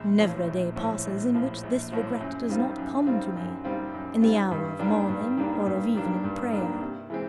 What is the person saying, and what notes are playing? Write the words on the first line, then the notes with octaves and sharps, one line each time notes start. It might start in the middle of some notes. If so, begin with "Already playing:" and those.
Never a day passes in which this regret does not come to me, in the hour of morning or of evening prayer.
Already playing: A#1
A2 F3
A#1
A2 F3
A#1
A2 F3
A#1
A2 F3
F#2
D#3 G3 C4 F4
F#2
D#3 G3 C4 F4
F#2
D#3 G3 C4 F4
F#2
D#3 G3 C4 F4
G2
D#3 G3 A#3 D4
G2
D#3 G3 A#3 D4
G2
D#3 G3 A#3 D4
G2
D#3 G3 A#3 D4
C3
E3 G#3 C4